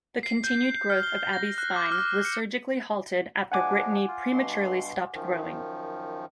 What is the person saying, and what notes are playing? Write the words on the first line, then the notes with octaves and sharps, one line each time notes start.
The continued growth of Abby's spine was surgically halted after Brittany prematurely stopped growing.
C7
G6
F6
G7
A#6
F#6
D6
F6
C#7
F3 G#3 D4 F#5 G#5 D6
F4
G2 B2 C6
F#2 D#3 F3